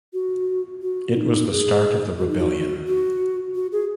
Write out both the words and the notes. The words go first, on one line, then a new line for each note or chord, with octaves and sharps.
It was the start of the rebellion.
F#4
F#4
F#4
D#4
G#4
F#4
D#4
F#4
F#4
F#4
G#4